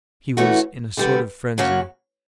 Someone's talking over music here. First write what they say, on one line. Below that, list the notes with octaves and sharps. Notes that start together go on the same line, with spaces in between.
He was in a sort of frenzy.
E3 A3 C#4 F#4
D3 G3 B3
C#3 F#3 A#3 C#4 F#4